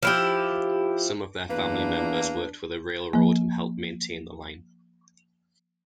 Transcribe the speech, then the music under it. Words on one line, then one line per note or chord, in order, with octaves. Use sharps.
Some of their family members worked for the railroad and helped maintain the line.
F3 E4 G4
E2 A#3 D4 B4
F3 A#3